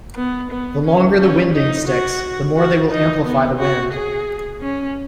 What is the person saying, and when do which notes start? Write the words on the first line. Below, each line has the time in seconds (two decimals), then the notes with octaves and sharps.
The longer the winding sticks, the more they will amplify the wind.
0.16 B3
0.51 B3
0.85 C#4
1.19 C#4
1.54 D#4
1.88 F#4
2.56 F#4
2.91 D#4
3.24 B3
3.59 F#4
3.93 G#4
4.61 C#4